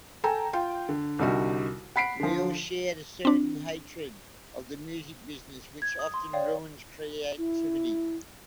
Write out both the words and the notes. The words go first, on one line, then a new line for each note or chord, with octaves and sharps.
We all shared a certain hatred of the music business which often ruins creativity.
A4 G5 G#5 A#5
F4 G5
D3
C2 D3 G3 D#4 F#4
F#5 B5 B6 C7 D7
D3 F3
C4 D4
G#6
D#6
C6
C#5 D5 F5 G5
E4